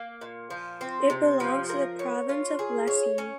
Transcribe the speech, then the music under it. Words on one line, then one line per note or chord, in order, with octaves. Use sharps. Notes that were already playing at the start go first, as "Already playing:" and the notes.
It belongs to the province of Lecce.
Already playing: A#3
A#2
F3
C4
C3
F3
A#4
C#5
F4
G#4
C#5
C#4